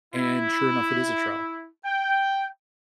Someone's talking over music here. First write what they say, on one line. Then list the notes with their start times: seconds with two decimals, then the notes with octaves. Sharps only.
and sure enough, it is a trail.
0.13 E4
1.86 G5